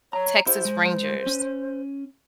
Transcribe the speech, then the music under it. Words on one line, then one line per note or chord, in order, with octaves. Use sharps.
Texas Rangers
C#5 A#5
E4 G4 C5
G#3
C#4